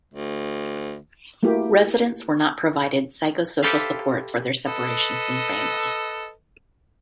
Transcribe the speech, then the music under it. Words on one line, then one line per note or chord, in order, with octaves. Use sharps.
Residents were not provided psychosocial supports for their separation from family.
D2
A3 A#3 E4 F#4 G4
G4 A4 B4 C5 E5 F5
A4 B4 D#5